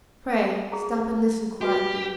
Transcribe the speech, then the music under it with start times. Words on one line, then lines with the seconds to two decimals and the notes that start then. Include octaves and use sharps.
Pray, stop and listen quietly.
0.72 G#4 A#5
1.61 F#4 G4 B4